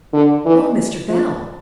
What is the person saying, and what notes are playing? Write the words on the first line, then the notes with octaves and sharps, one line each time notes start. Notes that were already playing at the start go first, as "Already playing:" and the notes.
'Oh, Mr. Bell!
D3
E3
F3